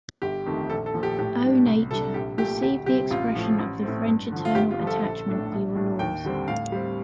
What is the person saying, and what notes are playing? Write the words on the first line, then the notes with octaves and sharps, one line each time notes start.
O Nature, receive the expression of the French eternal attachment for your laws.
G1 G4
F2 D#3 A3
A#1 A4
A4
A#2 F3
G4
A2 G4
G3 D4
C2
C3 G3 D4 A4
A#1 G4
A#2 A3 G4
D2 G4
C3 G3 C4 G4
A1 F4
A2 F3
A1
A2 A3 C4
G2
D3 F3
F4
G1 G4
F4
G2 F3
A4
A#1
A2 A3 D4
A#1
A2 A3 D4
D#2 G5
D3 G3 C4
A2 F5
G3 C4